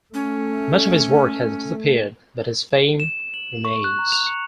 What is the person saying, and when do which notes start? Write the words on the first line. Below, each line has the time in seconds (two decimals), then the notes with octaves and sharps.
Much of his work has disappeared, but his fame remains.
0.14 A3 C#4
3.00 E7
3.34 F#7
3.65 C#6
3.84 F#6
3.99 A#5
4.12 F7
4.27 C#7